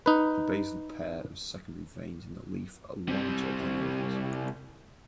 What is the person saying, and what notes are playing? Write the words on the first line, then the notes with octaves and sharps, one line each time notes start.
The basal pair of secondary veins in the leaf are larger than the others.
D#4 B4
C3 G3